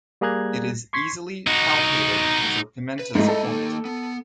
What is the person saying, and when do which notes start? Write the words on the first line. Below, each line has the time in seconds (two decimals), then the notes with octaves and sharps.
It is easily palpated over Pimenta's Point.
0.21 G3 A#3 G#4 A#5 F#6 G#6
0.93 C6 C#6 G#6 B6 C7
1.47 D#4 F#4
2.99 B4
3.15 G#2 A3 E4 D#5
3.28 A4
3.43 A#3 D#4
3.85 B3